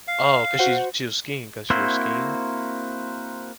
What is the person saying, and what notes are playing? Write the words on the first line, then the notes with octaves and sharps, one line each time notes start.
Oh, 'cause she's she was skiing 'cause she was skiing?
F5
F#4 C5 F#5
A#3 C4 E4 F#4 C5